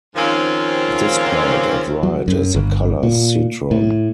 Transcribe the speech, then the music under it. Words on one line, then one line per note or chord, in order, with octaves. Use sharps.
Displayed at right is the color citron.
G#2 D#3 F3 C4 C#4 F4
F#3
F#2
G1
A#2
A2